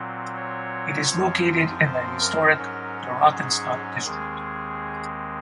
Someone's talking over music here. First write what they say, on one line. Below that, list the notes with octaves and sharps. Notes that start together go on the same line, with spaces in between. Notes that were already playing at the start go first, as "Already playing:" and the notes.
It is located in the historic Dorotheenstadt district.
Already playing: A#2 F#3 C4
C#5
F#2 F3 C4
C5
A#4
G#2 F#3 C#4
G#4
D#2 D#3 G#3 C4 G#4